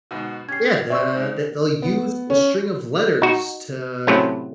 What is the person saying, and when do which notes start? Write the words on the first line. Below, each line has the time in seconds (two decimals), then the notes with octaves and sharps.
Yeah, the the they'll use a string of letters to
0.11 G#2 B2 F#4
0.49 C#4 G4 G#6 C7
0.90 C4 D5 E5 C#6 E6
1.15 G#2 C5
1.82 B3
2.30 C#4
3.22 D#4 F#4
4.07 A2 C3 F#3 A3 C#4